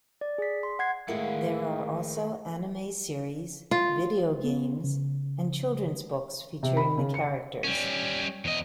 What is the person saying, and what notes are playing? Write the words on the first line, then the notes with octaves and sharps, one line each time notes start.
There are also anime series, video games and children's books featuring the characters.
D5
G#4 B6
C6
F#5 G#6 C7
A2 D#3 G#3 A#3 E4 G#4 F#5
F4
B3
C#3
C3
B5
C#3
C#7
G3 C#4
E2 D#5